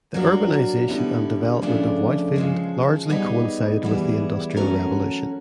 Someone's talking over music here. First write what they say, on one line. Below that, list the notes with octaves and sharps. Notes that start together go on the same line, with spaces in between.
The urbanisation and development of Whitefield largely coincided with the Industrial Revolution.
F#3 A#3 D4 F#4
D3 G3 B3 E4
F2 C#3 F3 A3 D4
C#3 F3 G#3
G3 B3 D#4 G#4 B4
E3 G3 B3 E4 G#4
F#3 A3 C#4 F#4 A#4